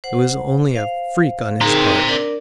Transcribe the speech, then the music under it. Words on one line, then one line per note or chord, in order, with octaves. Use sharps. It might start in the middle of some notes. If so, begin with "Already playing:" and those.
It was only a freak on his part.
C5 F#5
C5 F5
C4 D#4 G#4 A#4 A#5
D4 A#4 D5